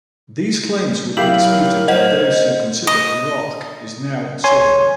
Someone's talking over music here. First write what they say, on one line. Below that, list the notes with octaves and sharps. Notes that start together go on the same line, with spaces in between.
These claims would be disputed by those who consider Iraq is now sovereign.
F#3 E4 G4 A#4 F5 F#7
C5 D#5 F#5
D#5
C#5 G#5 C6